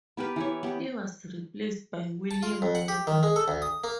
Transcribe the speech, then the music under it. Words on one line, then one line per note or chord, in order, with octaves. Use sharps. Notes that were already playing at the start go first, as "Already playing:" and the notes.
He was replaced by William Weber.
B3 G4 A#4 B4
E3 E4 C#5
B3 G4
A5
F4
F2
F#5
G4
D#3
G#3
A4
D2
D#6
A#3